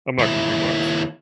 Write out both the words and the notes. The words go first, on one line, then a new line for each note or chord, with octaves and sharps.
I'm not gonna do much.
D#2 E4